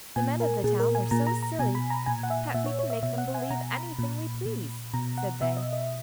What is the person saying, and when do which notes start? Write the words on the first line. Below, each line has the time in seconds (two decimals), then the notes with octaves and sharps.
'The men of the town are so silly that we can make them believe anything we please,' said they.
0.16 A#2 G#5
0.40 A#4
0.64 A#2 G#4
0.80 A#4
0.95 G#5
1.11 A#2 A#5
1.27 A#5
1.43 A#5
1.59 B2 G#5
1.75 B5
1.90 A#5
2.06 A#2 G#5
2.23 F#5
2.30 E5
2.54 A#2 E5
2.66 C#5
2.79 C#5
2.90 E5
3.03 B2 E5
3.18 F#5
3.34 G#5
3.50 B2 A#5
3.74 B5
3.99 A#2
4.46 A#2
4.94 B2 A#5
5.18 F#5
5.41 B2 E5
5.57 D#5
5.73 D#5